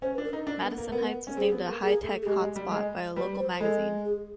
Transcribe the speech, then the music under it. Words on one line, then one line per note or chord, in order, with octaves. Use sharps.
Madison Heights was named a "High Tech Hot Spot" by a local magazine.
C#4 C5
B4
D4
A#4
D#4
D4
B3
A#3
B3 A#4
C#4
C4 G#4
B3
A#3
A#3 G#4
A3
G#4
G#3 G4
G#3
G3
G#3
G3 B4
C5
G#3 A4
G#4